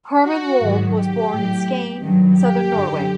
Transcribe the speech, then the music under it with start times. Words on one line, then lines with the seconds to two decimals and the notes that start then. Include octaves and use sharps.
Herman Wold was born in Skien, Southern Norway.
0.25 F#4
0.61 G#2 D#3 F#3
0.96 G4
1.31 A2 F#3
2.02 G2 D#3 F#3
2.37 G4
2.72 F#2 D3 F#3